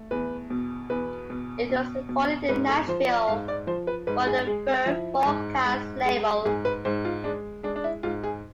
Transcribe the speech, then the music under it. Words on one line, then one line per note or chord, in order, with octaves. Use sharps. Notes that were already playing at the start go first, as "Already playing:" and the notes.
It was recorded in Nashville for the Verve Forecast label.
Already playing: A3
E2 B4
B2
E2 B4
B2
B2
B2
G#2 B4
A4
F3 C5
D5
G#2 F5
D5
F3 C5
B4
G#2 B4
G#4
G#3 G#4
C4
F3 E4
G#2
G#2
G#3
G#2 G#4
B4
G#2 C5
F4
G#3 D4
G#3 D4
D4
E4
G#2 F4
G#4